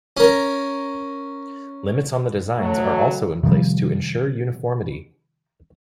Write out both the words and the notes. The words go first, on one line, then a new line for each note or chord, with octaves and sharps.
Limits on the designs are also in place to ensure uniformity.
C#4 A#4
F#3 A3
C3 D#3 F3 G3